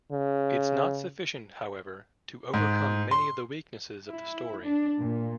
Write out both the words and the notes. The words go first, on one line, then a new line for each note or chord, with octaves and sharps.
It's not sufficient, however, to overcome many of the weaknesses of the story.
C#3
G#2
C6
E4
D4
A#2